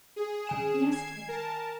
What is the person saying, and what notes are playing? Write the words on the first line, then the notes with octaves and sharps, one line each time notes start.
"Yes, dear."
G#4
D#3 G#5 E7
G#6 C7
A#4 A5